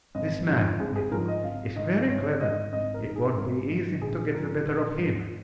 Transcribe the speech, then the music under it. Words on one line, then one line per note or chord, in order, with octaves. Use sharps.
"This man," they thought, "is very clever; it won't be easy to get the better of him."
G#1 D#5
G#2 F3
G#1 G#4
G#4
G#2 F3 A#4
D#5
G#1 F5
G#2 D#3 D#5
G#1 C#5
G#2 D#3 D#5
G#1 D#5
A#4
G#2 D#3
G#4
G#1 A#4
G#2 D#3
A#1 G#4
G#2 F3 A#4
A#1
G#2 F3